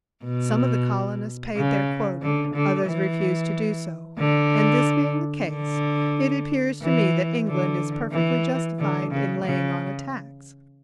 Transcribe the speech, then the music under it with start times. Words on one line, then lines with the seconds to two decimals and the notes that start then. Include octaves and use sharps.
Some of the colonists paid their quota, others refused to do so, and this being the case, it appears to me that England is perfectly justified in laying on a tax.
0.24 B2
1.56 C#3
2.22 D3
2.54 D3
2.87 E3
4.19 D3
5.50 D3
6.82 E3
7.47 D3
8.12 E3
8.79 D3
9.11 C#3
9.44 C#3